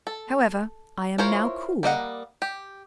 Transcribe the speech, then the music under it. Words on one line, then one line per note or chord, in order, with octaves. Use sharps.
However, I am now cool.
A4
E4 F4 A#4 C5 C#5
G3 A#3 D#5 F#5
G4